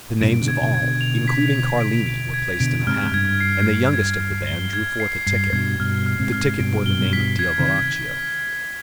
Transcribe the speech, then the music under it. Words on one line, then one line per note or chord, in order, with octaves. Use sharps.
The names of all, including Carlini, were placed in a hat, and the youngest of the band drew forth a ticket; the ticket bore the name of Diovolaccio.
G2 B2 D7
B2 D3
G#6
B2 D3
G#6
B2 D3
F7
B6
F7
D7
D7
G#6
B2 D3 D7
G#2 C3 F6
G#2
G2 G#6
C7
G#6
G#6
G#6
G7
G#6
C7
G2 C7
G2 B2 G#6
G2 B2 F6
F6
G#2 C3
F6
G2 B2 D7
G7
G2 B2
B6
G#6
C3 D#3
G#6
B6